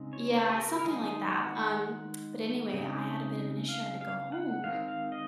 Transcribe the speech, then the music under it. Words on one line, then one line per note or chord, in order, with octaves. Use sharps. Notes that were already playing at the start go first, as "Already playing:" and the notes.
Yeah, something like that. Um, but anyway, I had a bit of an issue. I had to go home,
Already playing: C#3 G#3 C4 D#4
C#5
C5
G#4
A#4
A#4
D#3 G#3 D#4 G#4
F#5
C#3 G#3 C4 D#4
F5
F5
F#5
D#3 G#3 C4 F5
F5
D#5